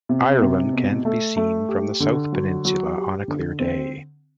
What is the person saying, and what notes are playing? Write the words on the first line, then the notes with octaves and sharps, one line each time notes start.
Ireland can be seen from the south peninsula on a clear day.
C3
C3
B2
A3
A3
G4
D3
F#3
F#3
G4
D3
C4